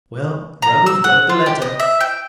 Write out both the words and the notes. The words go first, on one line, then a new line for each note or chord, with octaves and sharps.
Well, Ruggles wrote the letter.
A#5
E6
F#5
F4
G4
D#5
E5
G5